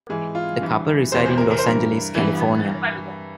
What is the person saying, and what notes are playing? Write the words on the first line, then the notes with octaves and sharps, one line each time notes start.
The couple reside in Los Angeles, California.
G#2 E3 G#4
F4
G2 E3
E2 C3 E3 C5
C5
A#4
A#4
C5
G2 E3 A#4
G2 E3